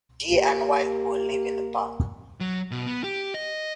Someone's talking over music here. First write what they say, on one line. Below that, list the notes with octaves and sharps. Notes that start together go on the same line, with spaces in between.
Deer and wild boar live in the park.
A#3 G4
F#3
B2
B3
G4
D#5